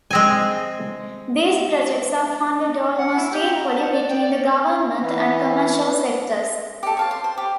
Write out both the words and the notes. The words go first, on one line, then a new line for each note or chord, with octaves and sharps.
These projects are funded almost equally between the government and commercial sectors.
G#3 C4 G#5
F#5
E4
G4
A#5
A5
F#5
D5
G5
D5
E3
G4 A4
C#5 F5 A5
C6
C5
G4